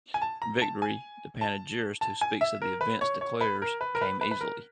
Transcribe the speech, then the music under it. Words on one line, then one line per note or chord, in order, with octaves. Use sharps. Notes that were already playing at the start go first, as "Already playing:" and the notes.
Victory, the panegyrist who speaks of the events declares, came easily.
G#5
A5
A#5
A5
G#5
A5
A5
G#5
E5
A#4
B4
C#5
C#5
B4
A#4
B4
A#4
B4
B4
B4
A#4